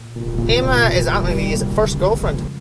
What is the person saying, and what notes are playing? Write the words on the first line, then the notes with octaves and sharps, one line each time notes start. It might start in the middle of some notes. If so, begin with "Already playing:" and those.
Emma is Antony's first girlfriend.
Already playing: A#2
A#2
A#2
A#2
C3
G3
G3
A#3
C#3
G#3
F2